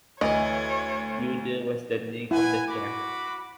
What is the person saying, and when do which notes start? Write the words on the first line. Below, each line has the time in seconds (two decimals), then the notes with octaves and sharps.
Yoder was the name of the camp.
0.21 D2 E3 C#5 D#5
2.31 E4 B4 F#5 G#5
2.66 F#4 B5 D6